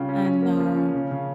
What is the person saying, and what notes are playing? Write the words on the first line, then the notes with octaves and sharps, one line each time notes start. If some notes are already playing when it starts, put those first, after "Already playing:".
I know.
Already playing: C#3 G3 F4
C#4
C#4
A#3
F3
C#4
C#3
C#3